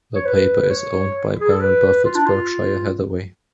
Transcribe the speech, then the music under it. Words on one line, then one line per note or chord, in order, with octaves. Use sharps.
The paper is owned by Warren Buffett's Berkshire Hathaway.
C#5
B4
C#5
G#4
A4
B4
F4
D4
F4